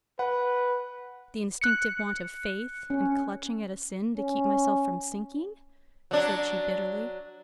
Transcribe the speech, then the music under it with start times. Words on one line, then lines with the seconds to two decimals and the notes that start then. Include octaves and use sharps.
'The instinctive want of faith, and clutching at a sin to keep myself from sinking,' said she bitterly.
0.19 B4 F#5
1.61 F#6 C#7
2.90 C#4
4.17 C#4
6.11 F#3 D4